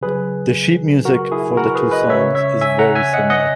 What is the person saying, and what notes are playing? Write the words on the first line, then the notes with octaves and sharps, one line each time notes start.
The sheet music for the two songs is very similar.
C#3 F#3 G#4 B4
F#4 A#4
E4 G#4
F#4 A#4
G#4 B4
B4 D#5
C#3 G#3 C#5 E5
C#5 E5
E5 G#5
F#5 A#5
E5 G#5
D#5 F#5
D#5 F#5